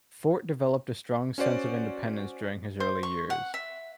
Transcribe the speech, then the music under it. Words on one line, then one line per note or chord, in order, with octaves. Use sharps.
Fort developed a strong sense of independence during his early years.
C#4 F#4 C5 D5
C5
C#6
F#5
E5